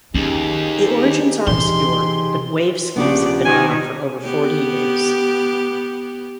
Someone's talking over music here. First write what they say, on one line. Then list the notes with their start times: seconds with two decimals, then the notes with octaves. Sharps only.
The origins are obscure, but waveskis have been around for over forty years.
0.14 D#2 C#4 D#4 G4 G#4
1.47 C3 E3 C6
2.96 A#1 C#3 B3 G4 D5
3.45 D#3 G#5
4.23 B3 G4